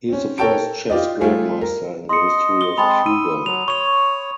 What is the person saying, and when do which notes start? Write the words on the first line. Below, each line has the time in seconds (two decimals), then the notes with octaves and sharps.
He is the first chess grandmaster in the history of Cuba.
0.09 C4 C#4
0.38 A4 A#4 C#5 G5 A5 D7
0.90 F4 G4 D5 D#5
1.21 G3 A3 F4 G#4
1.61 A#4
2.09 D#5 C6 C#7
2.61 D#6 G7
2.78 G#3 C4 A5 B5
3.06 E6 D#7
3.46 F#3 F7
3.68 C#5 C#6 F7